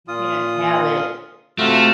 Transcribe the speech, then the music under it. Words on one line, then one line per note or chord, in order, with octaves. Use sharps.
You can't have it
A#2 F4 D#6
C3 A3 F4 F#4